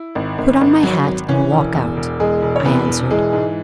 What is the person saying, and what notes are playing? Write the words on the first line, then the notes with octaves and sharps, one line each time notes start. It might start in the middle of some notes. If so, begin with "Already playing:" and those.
'Put on my hat and walk out,' I answered.
Already playing: E4
G#1
G#1
G#1
F#3
G#1
E3 C#4
E1
E2
E1
E2 G#3 G#4
E1
C#5
E2 B3 B4
E1
E3 G#3 G#4
G#2